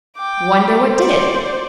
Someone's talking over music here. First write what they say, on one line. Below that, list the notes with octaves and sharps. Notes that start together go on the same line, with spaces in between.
"Wonder what did it?"
G5 D6
C5 D5